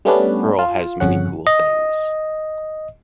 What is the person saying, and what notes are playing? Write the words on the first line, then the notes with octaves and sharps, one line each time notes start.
Perl has many cool things.
G3 A3 B3 C#4 D4 B4
F4
G1 F2 C#3 C#4 F#5
D#5